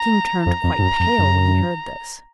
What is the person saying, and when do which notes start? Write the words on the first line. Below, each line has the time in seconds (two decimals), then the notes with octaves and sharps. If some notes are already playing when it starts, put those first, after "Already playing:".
The king turned quite pale when he heard this.
Already playing: A#5
0.46 F2 A#5
0.64 F2
0.79 G#2
0.82 F#2
1.00 F2
1.19 F#2